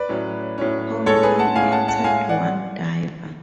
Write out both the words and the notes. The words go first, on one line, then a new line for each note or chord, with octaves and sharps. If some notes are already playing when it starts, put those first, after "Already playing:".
Hong Kong entered one diver.
Already playing: B4 D5
A2 F#3 C#4
A2 F#3 C#4
A2 G#3 C#4 A4 C#5
G#4 B4
F#5 A5
A2 G#3 C#4 F5 G#5
F#5 A5
F#5 A5
A2 G#3 C#4 F5 G#5
D5 F#5